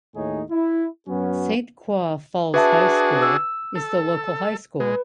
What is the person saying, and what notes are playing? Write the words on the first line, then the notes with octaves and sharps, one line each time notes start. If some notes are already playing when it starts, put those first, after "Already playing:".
Saint Croix Falls High School is the local high school.
D#2 A2 D#4 G#4 C#5
E4
F#2 F#3 B3 C#4
D4 F#4 G#4 B4 E5 A5
E6
A4
G#3 B4